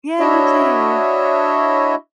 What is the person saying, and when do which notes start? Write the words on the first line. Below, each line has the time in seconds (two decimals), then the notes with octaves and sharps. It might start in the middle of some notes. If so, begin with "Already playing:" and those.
Yeah, you too.
0.19 D4 E4 F#4 C#5 D#5 E5